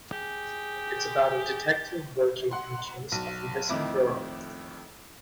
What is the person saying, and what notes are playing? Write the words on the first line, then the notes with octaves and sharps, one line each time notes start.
It's about a detective working on a case of a missing girl.
G4 G#4
F#5 C6
B1
F2 A2 D#3 E4 D6